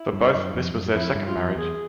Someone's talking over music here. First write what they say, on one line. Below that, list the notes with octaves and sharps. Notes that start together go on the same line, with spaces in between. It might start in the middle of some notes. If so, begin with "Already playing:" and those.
For both, this was their second marriage.
Already playing: E4
G2
F#2
F2
F#2
F2 E4
G2
F4
F2
E2 G#4